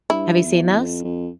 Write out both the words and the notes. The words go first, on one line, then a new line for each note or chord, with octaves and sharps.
Have you seen those?
G2 E4
E2
F2
F2